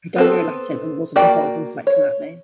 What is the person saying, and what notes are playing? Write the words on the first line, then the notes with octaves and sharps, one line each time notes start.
I don't know Latin and wasn't involved in selecting that name.
B3 C4 A4
A#3 F#4 D5 G5
C#5